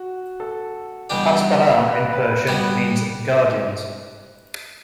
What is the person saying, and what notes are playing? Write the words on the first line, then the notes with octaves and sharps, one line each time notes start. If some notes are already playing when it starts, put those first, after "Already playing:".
Pasdaran in Persian means "guardians".
Already playing: F#4
A4
E2 B2 G3 D4 G4
B4
B4
B4
B4
G3 B3 F#4 B4